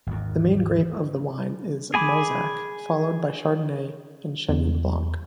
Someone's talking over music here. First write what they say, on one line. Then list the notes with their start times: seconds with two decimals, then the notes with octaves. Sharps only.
The main grape of the wine is Mauzac, followed by Chardonnay and Chenin blanc.
0.07 G#1 D#2
1.94 G#4 G#5 B5 D6
4.49 E2